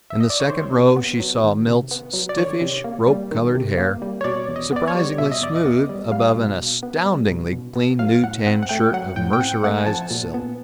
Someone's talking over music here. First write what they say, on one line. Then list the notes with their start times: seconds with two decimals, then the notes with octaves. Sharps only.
In the second row she saw Milt's stiffish, rope-colored hair--surprisingly smooth above an astoundingly clean new tan shirt of mercerized silk.
0.10 E5
0.20 D#5
0.30 D5
0.40 C#5
0.49 D#3 C5
0.73 C3
0.96 B3
1.20 F#3
1.44 D#3
1.67 C3
1.91 B3
2.13 F#3
2.29 D5
2.38 D#3 C#5
2.61 C3
2.84 A#3
3.07 G3
3.31 D#3
3.55 C3
3.77 A#3
4.02 G3
4.21 C#5
4.24 B2 D5
4.48 E2
4.56 D#5
4.72 B3 D5
4.88 C#5
4.94 G3
5.18 B2 E5
5.32 D#5
5.42 E2 D5
5.56 D#5
5.66 B3
5.89 G3
6.12 G3 F5
6.36 B2
6.59 B2
6.83 B3
7.06 G3
7.30 B2
7.53 B2
7.76 B3
7.99 F#3 F5
8.23 A2 F#5
8.46 C4 F#5
8.63 F#5
8.69 A3 G5
8.93 F#3 F#5
9.16 A2 G5
9.33 G5
9.40 C4 F#5
9.63 A3 F#5
9.78 G#5
9.86 F3 A5
10.11 A#2
10.34 B3